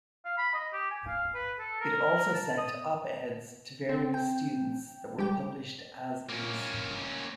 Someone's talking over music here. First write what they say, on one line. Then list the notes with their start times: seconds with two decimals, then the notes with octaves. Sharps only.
It also sent op-eds to various students that were published as-is.
0.25 F5
0.38 B5
0.54 D#5
0.73 G4
0.91 G#5
1.07 F5
1.35 B4
1.59 A4
1.81 A#4
2.34 A5
2.58 D#6
3.89 C4
4.14 G5
5.19 G3 G#3 G4 G5
6.29 A#3 C#4